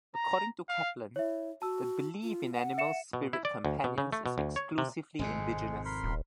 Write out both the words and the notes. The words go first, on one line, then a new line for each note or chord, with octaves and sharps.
According to Kaplan, the belief in animal spirit companions is exclusively indigenous.
A#5
F5
E4 C#5 E5
F#4 A5 E6
F4
F#5
E5 C#7 E7
B2
E4
D5
D2
B2
C#3
A3
B2
D2
C#5
C3
G#1 F2 C3 G#3
A#4 B5 C6
D#1